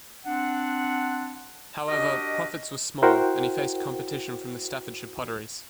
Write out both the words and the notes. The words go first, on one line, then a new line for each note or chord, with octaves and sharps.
However, profits were small and he faced competition from the Staffordshire Potteries.
C4 D4 F#5
D4 F#4 G4 A#4 D#5
E4 F#4 A#4 C5 F#5 G5